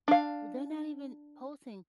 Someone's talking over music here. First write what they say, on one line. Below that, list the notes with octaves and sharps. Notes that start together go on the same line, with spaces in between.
they're not even posting,
D4 F5